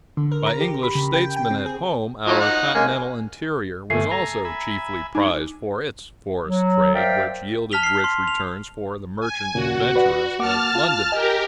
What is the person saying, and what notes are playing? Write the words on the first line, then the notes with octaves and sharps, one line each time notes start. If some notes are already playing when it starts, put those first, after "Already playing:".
By English statesmen at home, our continental interior was also chiefly prized for its forest trade, which yielded rich returns for the merchant adventurers of London.
D3
A#4
A#5
G4
B5
C#3
G5
G5
C4
G#4
F3 F#3 D#4
D#4 F#5
G#3 A#3 C#4 G#5
G1 A3 G#5 C7
A4 G#5 A#5
E5 G#5 B5
G#3 D4 D#4 G#5
F#3
A#4 C5 D5 E5 F5 G5
A5 F6 B6 F7 G7
F6 C7
C6
F7
G#5
D#2 A#2 C#3 F#4
B4 D5 F#5
A#3 F#5 A5 D6 F6
F4
G4 A#4 D#5 G#5